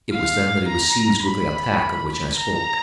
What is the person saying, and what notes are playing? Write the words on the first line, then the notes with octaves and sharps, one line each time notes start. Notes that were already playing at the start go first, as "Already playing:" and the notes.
It was then that he was seized with the attack of which I spoke.
F5
A#5
B5
A#5